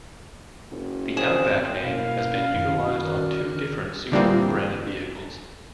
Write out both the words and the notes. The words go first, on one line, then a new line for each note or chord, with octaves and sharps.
The "Outback" name has been utilized on two different Subaru branded vehicles.
F#1
C4 G#4 E7
B2 A#3 C#4 E4 A#4 F5
F#2 D#3 E4
D#3 C#4 F#4 A#4 D5 F6 F#6
D3 E3 G3 G#3 A#3 C4